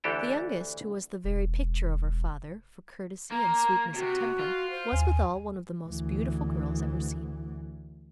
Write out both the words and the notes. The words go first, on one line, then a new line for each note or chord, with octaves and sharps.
The youngest, who was the very picture of her father, for courtesy and sweetness of temper, was withal one of the most beautiful girls ever seen.
D2 E3 D4 G4 A4 G5
E1
A#3 A#5
C3 F#4
F4
C5
D#2 G#5
D2 E3